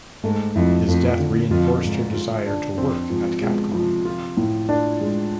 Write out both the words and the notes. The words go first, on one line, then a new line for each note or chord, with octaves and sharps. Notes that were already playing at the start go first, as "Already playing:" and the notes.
His death reinforced her desire to work at Capcom.
G#2 A3
F2 E4
F2 A3
D3
F2 F4
G#2 F4
F4
D4
F2 C4
G#2 F3
B2 G#3
C3 F3
F4
A2
D4
G#3